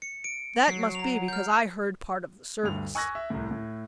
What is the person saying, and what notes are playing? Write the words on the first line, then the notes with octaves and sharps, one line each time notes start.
That must be because I heard part of the service.'
C#7
D7
F#3 C7
A#5 F7
F6 G6
D2 G2 F7
G#5 C#6 E6 F#6 G#6 A#6
E5
C2 A2
A2